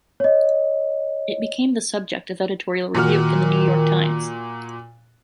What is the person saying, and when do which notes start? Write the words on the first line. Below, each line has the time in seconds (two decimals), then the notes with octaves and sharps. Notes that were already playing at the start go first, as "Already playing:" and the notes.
It became the subject of editorial rebuke in "The New York Times".
0.20 C#5 D#5
2.95 A#2 D#3 F#4 F6